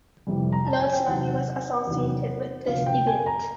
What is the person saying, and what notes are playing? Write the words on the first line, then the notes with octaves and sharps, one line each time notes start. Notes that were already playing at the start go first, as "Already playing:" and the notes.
No tsunami was associated with this event.
F2 C3 E3 G3
A#5
A5
G#5
G5
E2 C3 D#3 F#3 F#5
E2 C3 D#3 F#3
D2 C3 F3 F5
G5
G#5
A#5